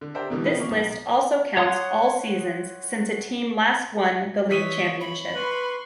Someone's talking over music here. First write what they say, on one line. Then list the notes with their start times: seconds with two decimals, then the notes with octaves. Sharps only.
This list also counts all seasons since a team last won the league championship.
0.01 D3
0.15 G4 A#4 C5 D5 E5
0.30 B2 D3 E3 G3
0.45 D#3 F3 B3 C4 D#4 B4
0.58 A#3 C#6
0.71 B1
1.57 C#5 F#5 C6 D#6
4.50 E3 C#5 D#5 B6
5.00 B5
5.34 B4 C6 C#6